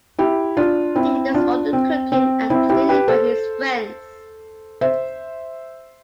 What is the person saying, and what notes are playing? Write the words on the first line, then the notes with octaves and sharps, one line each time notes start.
He handles all the cooking and cleaning for his friends.
E4 G4
D4 F4
C4 E4
D4 F4
C4
C4
C4 E4
E4 G4
G4 B4
A4 C5
C5 E5